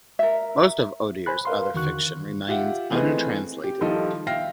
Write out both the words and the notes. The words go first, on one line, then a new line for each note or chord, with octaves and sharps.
Most of Odier's other fiction remains untranslated.
A#4 E5
C5 G#5 B5 F#6
A#4 B4 F5 C6
E2 D3 D#3 F#4 C#6 F#6
F4 G4 E5 F#5
E3 A3 C4 G#4 B4 D#5
G4
D#3 F3 G3 E4 A4 D#5
E5 F5 G5 F6 A#6 C7